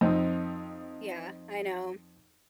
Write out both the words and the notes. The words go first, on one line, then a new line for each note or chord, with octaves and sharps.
Yeah, I know.
F2 C4 D#4